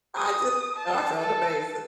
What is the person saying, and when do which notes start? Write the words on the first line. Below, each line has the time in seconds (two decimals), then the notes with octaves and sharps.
I just I felt amazing.
0.17 D#6
0.76 A5
1.20 A4